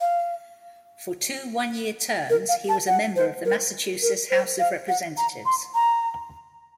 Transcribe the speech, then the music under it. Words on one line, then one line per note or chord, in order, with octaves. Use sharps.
For two one-year terms he was a member of the Massachusetts House of Representatives.
F5
A#4
F5
A5
F#5
C5
A#4
A#4
C5
F5
F#5
A#5
C6
A#5